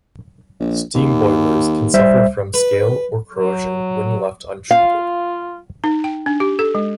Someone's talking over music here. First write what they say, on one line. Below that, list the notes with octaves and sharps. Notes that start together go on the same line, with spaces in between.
Steam boilers can suffer from scale or corrosion when left untreated.
A#1
D#2
G3 C5 E5
B4
F#3
F4 F5
D#4
G5
D4
G4
A4
G#3